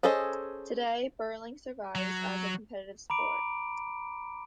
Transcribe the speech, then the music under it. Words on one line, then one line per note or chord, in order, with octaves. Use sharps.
Today, birling survives as a competitive sport.
C#4 G#4 A4 C5 D#5
F#3
A#5 B5 D6 D7